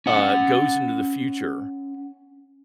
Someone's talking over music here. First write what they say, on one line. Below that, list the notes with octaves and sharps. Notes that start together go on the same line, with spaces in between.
uh, goes into the future
C#4 F#5